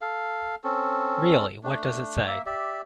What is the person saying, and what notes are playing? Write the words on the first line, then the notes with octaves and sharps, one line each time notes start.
Really, what does it say?
A4 F5
C4 C#4 A4
A3 D4
A#3 E5
G4 D5 E5